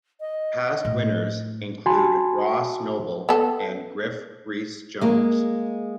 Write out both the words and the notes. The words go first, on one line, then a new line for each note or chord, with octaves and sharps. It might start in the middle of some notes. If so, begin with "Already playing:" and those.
Past winners include Ross Noble and Griff Rhys Jones.
D#5
A2
F#4 G#5 A5 B5 C6
B3 A4
G#3 A#3